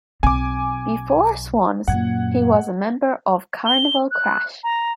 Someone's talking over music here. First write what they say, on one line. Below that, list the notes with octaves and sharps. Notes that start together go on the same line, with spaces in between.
Before Swans, he was a member of Carnival Crash.
B1 C4 G#5 D6
F#2 A#2 F#5 G#6
G7
F#6
A#5